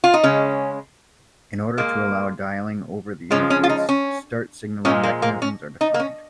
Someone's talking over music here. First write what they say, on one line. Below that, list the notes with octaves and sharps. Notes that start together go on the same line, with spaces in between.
In order to allow dialing over the interface, "start" signaling mechanisms are defined.
F4
D#4
C#3 G#3 C#4
A#2 F3 G#3 A#3
C#3 F3 G#3 C#4
C#4
F4
D#4
C#4
A#2 F3 G#3 C#4
A#3
A#3
C#4
D#4
A#3
C#4